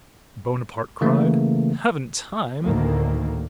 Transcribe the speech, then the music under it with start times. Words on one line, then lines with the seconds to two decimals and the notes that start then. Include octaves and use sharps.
Bonaparte cried, 'Haven't time?
1.01 C#3 E3 A3 A#3
2.63 D2 A2 D#3 A#3